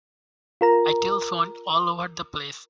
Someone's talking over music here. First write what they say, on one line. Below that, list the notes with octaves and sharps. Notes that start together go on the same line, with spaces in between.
I telephoned all over the place.
F4 A#4 A#5